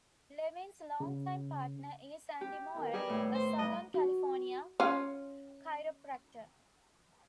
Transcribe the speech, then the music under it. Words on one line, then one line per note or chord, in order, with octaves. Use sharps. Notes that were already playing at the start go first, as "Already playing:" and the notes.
Levin's longtime partner is Andy Mauer, a Southern California chiropractor.
C#3
G4
B2 D#3 A#4
G3 G#4 D#5
A2
C5
G2 D#4 D#5
F#4
C#4 F4